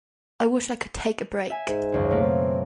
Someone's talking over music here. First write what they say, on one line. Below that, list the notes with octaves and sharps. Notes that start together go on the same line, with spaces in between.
I wish I could take a break.
E5 G#5
G#2
G#1 C#2 F#2
B2 A3 A#3
C4